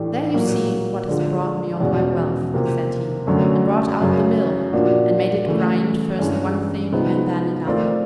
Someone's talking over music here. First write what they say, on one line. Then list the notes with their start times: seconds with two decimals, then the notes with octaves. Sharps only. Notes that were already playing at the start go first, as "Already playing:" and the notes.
"There you see what has brought me all my wealth!" said he, and brought out the mill, and made it grind first one thing and then another.
Already playing: A2 E3 A3 D4 G4
0.34 A#2 F#3 A#3
1.08 D3 F3 G#3
1.80 E2 B2 G#3 C#4 F#4
2.54 C3 F3 A#3
3.27 F#2 D3 F#3 A3 C#4
4.00 F#2 C#3 F#3
4.73 A#2 F3 A#3 D4 F#4
5.46 C#3 E3 A3
6.19 G2 E3 G#3 C#4
6.92 C3 F3 G#3 B3 D#4
7.66 A3 C4 F4 A#4 D5